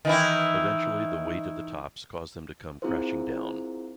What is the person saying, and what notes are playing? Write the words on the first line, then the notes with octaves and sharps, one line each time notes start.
Eventually, the weight of the tops caused them to come crashing down.
D#3 E3 E4
C4 E4 F4 G#4 A#4 C5